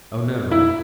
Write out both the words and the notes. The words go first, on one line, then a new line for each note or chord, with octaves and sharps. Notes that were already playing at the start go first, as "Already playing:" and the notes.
"Oh, no."
E4